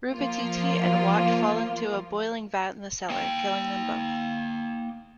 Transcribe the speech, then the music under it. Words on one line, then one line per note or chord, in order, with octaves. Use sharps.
Rubbatiti and Watt fall into a boiling vat in the cellar, killing them both.
F3 A#3 F4
A#3 G5